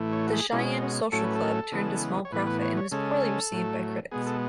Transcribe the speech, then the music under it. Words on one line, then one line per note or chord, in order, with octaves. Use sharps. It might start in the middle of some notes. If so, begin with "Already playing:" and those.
"The Cheyenne Social Club" turned a small profit, and was poorly received by critics.
Already playing: A2 E3 A3
C#5
F#4
G#4
B2 G#3 C#4 E4
F#4
A2 F#3 A3 C#4 A4
B4
A4
C#3 E3 G#3 B3
C#5
A2 E3 B3 B4
B4
C#5
C#5
C#3 G#3 C#4 A4
A2 F#3 A3
B2 G#3 B3 G#4
A4